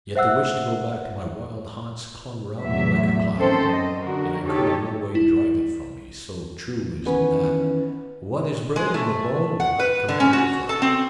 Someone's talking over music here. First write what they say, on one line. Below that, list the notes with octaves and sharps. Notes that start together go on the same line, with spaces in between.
Yet the wish to go back to my wild haunts clung round me like a cloud, and I could in no way drive it from me, so true is it that "what is bred in the bone will not come out of the flesh."
C5 E5 F#5 E6 F#6
E2 A2 F#3 E5
D#3 C4 C#4 A4 C5
F#2 D#5
D3 F#4 A#4
D#4 G4 A4 C#5
E4
D#3 E3 B3 C#4 B4
G#3
A3
F#5
B4
D3
C#4
F#4
A4
C4